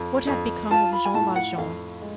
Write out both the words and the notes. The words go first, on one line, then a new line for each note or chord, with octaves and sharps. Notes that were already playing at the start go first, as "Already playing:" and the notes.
What had become of Jean Valjean?
Already playing: F2
F2
F4 A5
B5
G#5
A2 A5
F#5
F2 F5
G#3